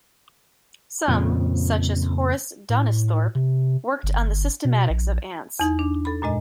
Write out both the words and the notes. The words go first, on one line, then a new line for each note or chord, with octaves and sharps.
Some, such as Horace Donisthorpe, worked on the systematics of ants.
F2 A#2 C#3
A2
C3
G1
B2
A#1
E2 D#4 G#6
D4
A4 B5
F#2 A#2 G#3 D#5